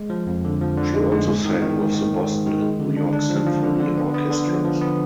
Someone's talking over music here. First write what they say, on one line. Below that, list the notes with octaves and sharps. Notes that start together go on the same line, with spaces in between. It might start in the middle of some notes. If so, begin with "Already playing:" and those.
She also sang with the Boston and New York Symphony Orchestras.
Already playing: G#3
F3
F2
D3
F3
D3
G#3
G#3
G#2
D#3
D#3
G#2
D#3
G#2
G#2
D#3
G#3
D3
D4
D4
F3
F3
D3
D3
B3
B3
D3
F3
F3
B3